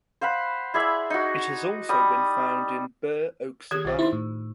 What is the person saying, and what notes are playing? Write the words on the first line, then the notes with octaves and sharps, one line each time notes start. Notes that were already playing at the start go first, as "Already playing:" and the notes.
It has also been found in bur oak savanna.
C5 F5 F#5 B5
E4 G#4 D5 E5
D#4 F#4
G3 D#6
D#3 G4 G#4 G#6
B1 F4 C5
D#4 E4 C5 C6
A2